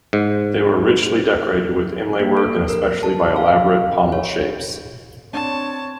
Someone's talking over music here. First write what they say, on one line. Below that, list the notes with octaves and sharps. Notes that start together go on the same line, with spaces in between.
They were richly decorated, with inlay work and especially by elaborate pommel shapes.
G#2
A#3
A4
A#4
A5
F5
C#5
C4 D4 C#5 A5